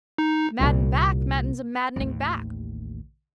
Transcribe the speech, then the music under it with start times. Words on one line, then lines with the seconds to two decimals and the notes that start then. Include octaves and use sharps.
Madden back Madden's a maddening back.
0.18 D#4
0.59 C2 A#2
1.96 A1 D#2